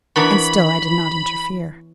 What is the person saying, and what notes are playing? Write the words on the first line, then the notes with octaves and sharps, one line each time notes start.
And still I did not interfere.
E3 B3 D4 A#4 C#5 A#5 B5